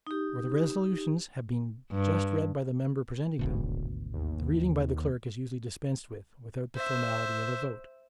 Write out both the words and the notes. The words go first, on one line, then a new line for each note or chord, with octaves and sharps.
Where the resolutions have been just read by the member presenting them, the reading by the clerk is usually dispensed with without the formality of a vote.
D#4 G4
G2
D1 G#1 D2 B2
D#2
C5 E5